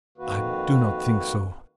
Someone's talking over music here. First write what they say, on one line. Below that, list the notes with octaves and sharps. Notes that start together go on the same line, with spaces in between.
"I do not think so."
F2 D#3 A#3 F#4 B4